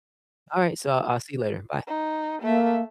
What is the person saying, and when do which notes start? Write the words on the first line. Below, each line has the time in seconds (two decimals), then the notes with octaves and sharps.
all right, so I'll see you later, bye.
1.87 D#4
2.42 A3 A#3 E5